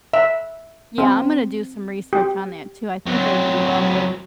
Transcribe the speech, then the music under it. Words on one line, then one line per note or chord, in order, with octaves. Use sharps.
Yeah, I'm gonna do some research on that too, I think it would be well worth
E5
C4
G4
F#3 C4